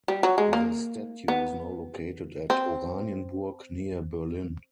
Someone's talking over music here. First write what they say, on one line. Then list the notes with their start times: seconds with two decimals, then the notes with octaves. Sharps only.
The statue is now located at Oranienburg near Berlin.
0.08 G3
0.23 F#3
0.38 G#3
0.53 A#3
1.28 B3
2.50 C4